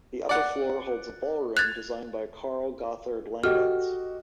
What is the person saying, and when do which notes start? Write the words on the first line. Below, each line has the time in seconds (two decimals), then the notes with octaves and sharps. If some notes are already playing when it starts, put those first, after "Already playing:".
The upper floor holds a ballroom designed by Carl Gotthard Langhans.
0.29 D5 F#5
1.57 F#6 G#6 A6 F7
3.43 F#4 G4 A4 D#5 F6